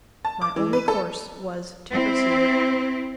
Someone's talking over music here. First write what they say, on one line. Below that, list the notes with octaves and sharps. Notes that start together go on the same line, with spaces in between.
My only course was to proceed.
A5
D6
E3
B4
A4
C4 E4